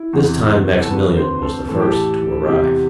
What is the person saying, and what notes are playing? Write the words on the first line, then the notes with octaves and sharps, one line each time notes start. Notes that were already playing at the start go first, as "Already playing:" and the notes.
This time Maximilian was the first to arrive.
Already playing: E4
E2 C3 E3
A4
F2 D3 B4
C5
A4
A2 E3 A4
G4
A4
E2 C3 E3 G4